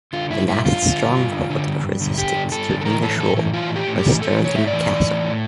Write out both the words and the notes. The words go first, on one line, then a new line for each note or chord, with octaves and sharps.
The last stronghold of resistance to English rule was Stirling Castle.
D3 F4
G2 E4
G2 E4
D3 F4
D3
G2
G2
D3
D3
G2
G2
D3
D3 G4
G2
G2 A4
D3
A4
E3 A#4
A2 A4
A2 A4
E3
E3 F4
A2
G4
A2
G4
E3
E3 A4
A2
C#5
A2 E5
D5
E3
E3
A2
A2